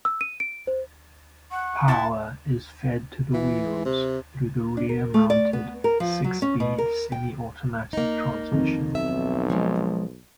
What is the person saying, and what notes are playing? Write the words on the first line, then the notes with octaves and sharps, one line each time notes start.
Power is fed to the wheels through a rear-mounted, six-speed semi-automatic transmission.
E6
D#7
D7
C5
F#5 C#6
E4 A5
E3
C3
D4
A#4
A3
D5
B3
A#4
F3
F#3
C#4
B2
A#4
G5
A#3 D#4
F2 D#3
B1 E5
F3 G#3